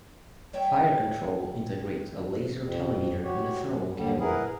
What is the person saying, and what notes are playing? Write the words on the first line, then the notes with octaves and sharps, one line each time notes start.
Fire control integrates a laser telemeter and a thermal camera.
G3 C#5 E5 G5
F2
F#4 G4 C#5
F#2
D#2 D3 G3
E4 G#4 A#4 B4 F#5